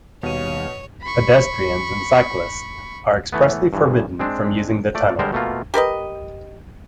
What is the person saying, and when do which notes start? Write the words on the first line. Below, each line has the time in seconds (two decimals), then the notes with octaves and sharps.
Pedestrians and cyclists are expressly forbidden from using the tunnel.
0.23 D#2 B2 G3 C#5 F5 D#7
1.02 B5 C#6
3.33 E3 A3 B3
3.73 G2 E3 F3
4.19 G#3 C4 D4
4.95 A3 D5
5.19 D3 G3 G#3 A#4 C5
5.32 B2 A3 A#3 F4
5.74 G4 A#4 B4 D#5